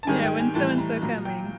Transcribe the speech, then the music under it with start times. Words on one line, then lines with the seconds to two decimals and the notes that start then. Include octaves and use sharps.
Yeah, when's so-and-so coming.
0.03 A5
0.07 G#2 D#3 G3 G#5
0.23 G5
0.39 G#5
0.54 A2 E3 G3 A5
0.78 A#5
1.01 A#2 F#3 A#5
1.25 G5